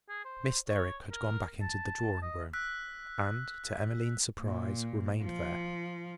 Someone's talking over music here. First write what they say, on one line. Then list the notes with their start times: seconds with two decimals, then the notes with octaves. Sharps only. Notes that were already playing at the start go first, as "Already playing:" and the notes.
Miss Derrick had gone back into the drawing-room, and, to Emmeline's surprise, remained there.
0.09 G#4
0.25 C5
0.69 C#5
1.11 A#4
1.61 A5
2.22 D#5
2.53 E6 F#6 B6
4.41 A#2
5.22 F3